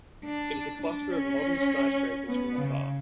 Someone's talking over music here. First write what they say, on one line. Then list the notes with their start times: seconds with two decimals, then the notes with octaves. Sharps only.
It is a cluster of modern skyscrapers from afar.
0.24 D4
0.82 D4
1.11 C#4
2.27 B3
2.57 C#3